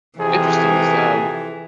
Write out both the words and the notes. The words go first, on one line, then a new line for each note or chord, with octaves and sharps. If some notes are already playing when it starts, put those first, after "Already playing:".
Interesting, is, um,
F2 C3 E3 G#4